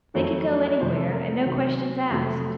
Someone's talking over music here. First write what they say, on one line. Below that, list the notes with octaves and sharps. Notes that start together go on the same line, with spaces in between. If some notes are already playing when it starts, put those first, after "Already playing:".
They could go anywhere, and no questions asked.
F2 D#3 F#3 A3 C#5
C#5
F2 C3 F3 A3 C5
A4
A#4
A4
C3 D#3 F#3 C4
C4
C#4
F2 C3 F#3 A3